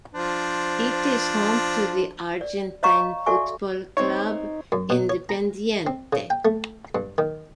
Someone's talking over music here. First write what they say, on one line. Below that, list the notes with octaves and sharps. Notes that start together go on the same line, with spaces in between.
It is home to the Argentine football club Independiente.
F3 D4 C5
D5
C#5 D#5 F5 A#5 C#6
F#4 A4 D5 E5 G#5 C#6
C4 D#4 C#5
F#2
B2
C#5
A#5
C4
C#3
G5
A3
G2
D#3